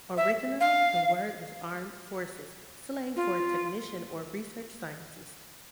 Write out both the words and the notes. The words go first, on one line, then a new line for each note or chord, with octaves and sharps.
Originally, the word was armed-forces slang for a technician or research scientist.
E5
F5
F4